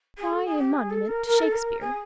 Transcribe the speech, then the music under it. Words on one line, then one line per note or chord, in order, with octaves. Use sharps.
Why a monument to Shakespeare?
G#4
A4
G#4
G4
G#4
A4
A#4
A#4
A4
A#4
G#4